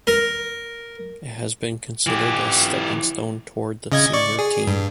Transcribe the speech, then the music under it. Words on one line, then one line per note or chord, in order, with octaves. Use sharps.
It has been considered a stepping stone toward the senior team.
A#4
E3 G4
C#3 D#5 G#6
D5 C#6
G#4
G2